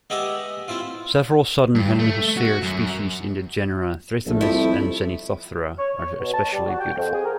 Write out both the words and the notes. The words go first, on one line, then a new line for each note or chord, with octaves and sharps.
Several Southern Hemisphere species in the genera "Trithemis" and "Zenithoptera" are especially beautiful.
G#3 B3 G4 D#5 E5
C4 E4 F4
G2
A3
F#4
F#2
A#1 F2 A3 A4
C2 F3 E4
C#5
C#5
B2
A5
G3
F#4
G5
F2
G#4
A#4